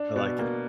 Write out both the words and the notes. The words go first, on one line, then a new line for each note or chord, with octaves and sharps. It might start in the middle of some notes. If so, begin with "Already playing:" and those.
I like it.
Already playing: D4
B2
A#3